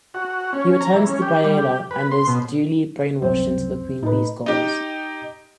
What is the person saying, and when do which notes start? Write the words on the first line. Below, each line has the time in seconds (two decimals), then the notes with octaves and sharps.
He returns to Biayla and is duly brainwashed into the Queen Bee's goals.
0.14 F#4
0.53 C#4
0.81 A#5
0.94 E3
1.07 C#4
1.22 G4
1.44 G3
1.57 G4
1.91 B4
2.11 C6
2.27 B2
3.22 C2 F#2 F#3 C4
4.03 A2 D#4 B4
4.46 D#4 G4